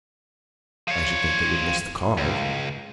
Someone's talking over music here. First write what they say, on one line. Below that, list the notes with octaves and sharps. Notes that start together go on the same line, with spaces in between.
"I should think they would miss the cars."
F3 C#5
C#2